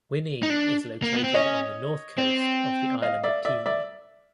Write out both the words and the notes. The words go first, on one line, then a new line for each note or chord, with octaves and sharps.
Wini is located on the north coast of the island of Timor.
D#4
D4
A#3
B3
C4
C#4 C#5 D#5
C4
D#5 F5
D5 E5
D5 E5
D5 E5